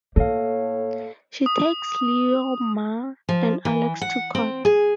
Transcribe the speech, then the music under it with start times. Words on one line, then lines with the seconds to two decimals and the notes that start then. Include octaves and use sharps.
She takes Leo Ma and Alex to court.
0.16 A2 A#3 A4 C#5 F5
1.46 D#6
3.29 F3
3.65 E3
4.01 F#5
4.35 C4
4.65 G#4